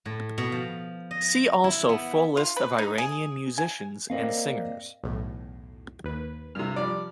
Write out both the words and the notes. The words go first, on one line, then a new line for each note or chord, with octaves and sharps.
"See also full list of Iranian musicians and singers".
A2
B2
F3
D#5
E4
B3
F4
B4
D#4
G#4
G#5
A#3 C4 A#4 D5 D#5 F5
B1 E2 A2
D#2 B4
G2 C3 F6
F3 G3 D5